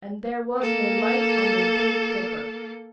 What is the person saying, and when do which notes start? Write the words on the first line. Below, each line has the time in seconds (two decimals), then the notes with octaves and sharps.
And there was no light on the Big Dipper!
0.59 A#3 A4